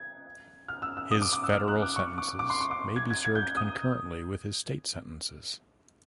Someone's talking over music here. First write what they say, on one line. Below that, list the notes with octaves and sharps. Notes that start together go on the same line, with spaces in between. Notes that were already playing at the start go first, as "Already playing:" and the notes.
His federal sentences may be served concurrently with his state sentences.
Already playing: G#6
F6
E6
E6
D#6
D6
D6
E6
F6
F#6
D6
C#6
D6
D6
C6
C#6
D6
G#6
G#6
G#6
G6
D#6